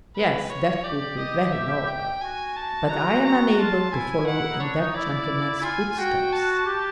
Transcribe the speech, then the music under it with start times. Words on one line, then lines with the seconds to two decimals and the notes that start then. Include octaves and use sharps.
Yes, that would be very noble, but I am unable to follow in that gentleman's footsteps.
0.15 B4
0.51 C#5
0.84 G4 D5
1.18 D#5
1.53 E5
1.87 G5
2.21 F#4 G#5
2.56 A5
2.89 F#4 A#5
3.24 A#5
3.53 E4
3.58 F4 A5
3.92 E4 G#5
4.26 F#5
4.50 D#4
4.60 D4 C#5
4.78 D#4
4.95 E4 D5
5.59 E4
5.63 F4 G#5
5.98 F#4 G5
6.32 A5
6.66 G4